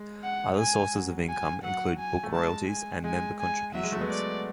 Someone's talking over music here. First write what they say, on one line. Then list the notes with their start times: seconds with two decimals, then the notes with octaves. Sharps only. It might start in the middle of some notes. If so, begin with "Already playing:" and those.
Other sources of income include book royalties and member contributions.
Already playing: G#3
0.24 F#5
0.59 G#5
0.94 F#3
1.29 G#5
1.63 F#3 F#5
2.00 G#5
2.23 A3
2.34 G#3 A5
2.69 G#5
3.04 G#3 G#5
3.40 G#5
3.75 F#3 E5
3.83 G#3
3.92 F#3 A3
4.01 G#3 B3
4.09 D5